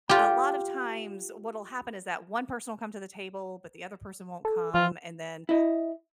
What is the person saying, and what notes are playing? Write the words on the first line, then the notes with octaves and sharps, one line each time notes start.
a lot of times what'll happen is that one person will come to the table, but the other person won't come. And then
F4 G4
A4
F3 F4
E4 D#5